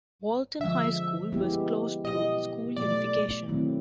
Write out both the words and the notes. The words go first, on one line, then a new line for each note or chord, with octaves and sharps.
Walton High School was closed through school unification.
D3 F3 G#3 E5
G#3 B3 E4 G4
B2 F#3 B3 E4 G4 D#5
B2 F#3 A3 D5
D#3 F#3 A3 C4 E4